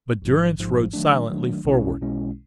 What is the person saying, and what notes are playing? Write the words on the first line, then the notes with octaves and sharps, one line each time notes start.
But Durrance rode silently forward.
A1 G#2 F3
A1 G#2 F3
D#3 F#3 A3 D4
D#3 F#3 A3 D4
B1 B2 G#3 C#4 E4
B1 B2 G#3 C#4 E4